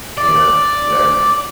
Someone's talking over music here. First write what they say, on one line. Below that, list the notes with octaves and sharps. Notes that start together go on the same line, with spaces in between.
Yeah, exactly.
D5